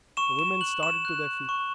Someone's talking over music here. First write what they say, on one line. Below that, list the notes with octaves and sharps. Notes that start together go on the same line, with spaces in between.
The women started to their feet.
C#6 E7
E7
F#6 F#7
E7
F#6
C#6